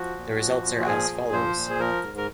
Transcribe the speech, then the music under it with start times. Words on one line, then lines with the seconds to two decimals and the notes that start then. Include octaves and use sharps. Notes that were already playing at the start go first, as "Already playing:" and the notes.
The results are as follows.
Already playing: F3 F#4
0.17 A#2
0.39 F3
0.64 A#2
0.80 F#4
0.86 F3 G#4
1.10 A#2
1.33 F3 C5
1.56 A#2
1.70 G#4
1.79 F3 A#4
2.03 G#2
2.18 A#4